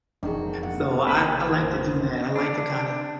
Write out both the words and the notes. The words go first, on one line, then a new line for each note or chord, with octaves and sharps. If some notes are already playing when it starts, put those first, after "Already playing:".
So, I d I like to do that, I like to kind of
E1 F2 D#3 C4 D4 F#4 G#4
A#2 F#5
A1 C3 A#3 B5
F2 D#3 C5
D4